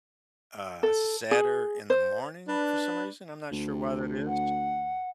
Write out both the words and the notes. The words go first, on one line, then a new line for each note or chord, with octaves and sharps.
uh, sadder in the morning, for some reason, I'm not sure why that is,
A4
G#4
C5
D4 B4
D2
F#5